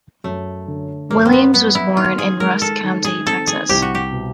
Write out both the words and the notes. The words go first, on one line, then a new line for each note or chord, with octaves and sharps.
Williams was born in Rusk County, Texas.
F#2 A3
D3
F#2 A#3
C4
B3
G3 B3
E4
D#3 F4
G#4
G#3 A#4
A4
D#3
G#4
C4 A4
G#4
C2 G4
F#4
G4
B2